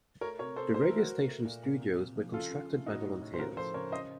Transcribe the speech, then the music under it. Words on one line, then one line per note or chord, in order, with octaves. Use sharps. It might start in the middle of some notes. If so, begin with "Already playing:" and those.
The radio station studios were constructed by volunteers.
A3 A#4 C#5
C3 A#4 C#5
C3 A4 C5
A3 C5
A#4
A3 A4
F#4 A#4
A3
A3
A#2
A#2
C3
C3
F3
C#3 F4 A4
C#3
A3
A2 D#4 F#4
A2
A2
C5
C#3 F#4 A#4
F3 A4 C5
C#3 A#4 C#5
C#3 C5 D#5